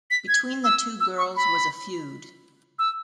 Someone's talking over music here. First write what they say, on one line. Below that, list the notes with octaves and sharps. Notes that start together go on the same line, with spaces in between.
Between the two girls was a feud.
B6
G#6
E6
E6
C#6
B5
E6